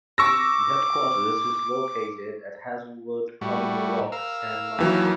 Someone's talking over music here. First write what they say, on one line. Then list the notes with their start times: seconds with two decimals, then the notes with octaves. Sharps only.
The headquarters is located at Hazelwood, Collymore Rock, Saint Michael.
0.18 C#6 D6 E6 A#6
3.41 A2 G3 F#4
4.12 A#4 F5 E6
4.78 D#2 E3 F#3